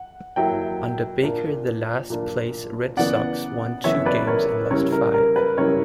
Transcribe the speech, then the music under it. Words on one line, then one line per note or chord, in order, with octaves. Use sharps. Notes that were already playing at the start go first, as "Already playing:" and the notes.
Under Baker, the last-place Red Sox won two games and lost five.
Already playing: F#5
F#3 A#3 E4 E5 G5
A#2 A#3 D4
A#2 A#3 D4
C#3 E3 B3 D5 F#5
C#3 E3 B3 C#5 E5
B4 D5
A#4 C#5
C#3 G3 C#4 E4 A#4 C#5
A#4
A#4
B4
C#3 G3 C#4 E4 A#4 C#5